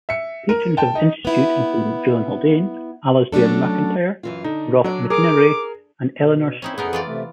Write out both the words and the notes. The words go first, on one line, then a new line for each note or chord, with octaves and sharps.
Patrons of the institute include John Haldane, Alasdair MacIntyre, Ralph McInerny and Eleonore Stump.
E5 C#7
A#4
G5 A5
D#4
B3 E4
F#3 A3 C#4 D4 A4
F#2 E3 F4
D3 D#4
F#3 D4 D5
G#4 A#4 D6
B2
C4 C#4 D#4 E4
F2 B3 D#4 G#4 A#4 F#5
E3 F4 D5
C3 A3